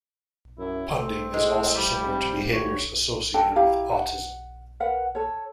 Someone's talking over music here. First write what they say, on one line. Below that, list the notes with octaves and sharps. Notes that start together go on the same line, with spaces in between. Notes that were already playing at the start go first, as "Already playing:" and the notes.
Punding is also similar to behaviors associated with autism.
F#2 E4
A3 C4
A2 G#3
F3 G3 E4 G4
C4
D2 C#5
D4 A4 G5 A5
E4 G4 F5 A#5
F#5
A#4 B4 F5 F#5
A4 C#5